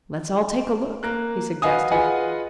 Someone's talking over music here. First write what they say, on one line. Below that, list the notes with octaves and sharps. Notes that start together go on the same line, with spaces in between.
"Let's all take a look," he suggested.
A#3 F#6
F#4 B4 D#5 F5 G#5 D#6
F4 G#4 B4 D#5 F#5 G#5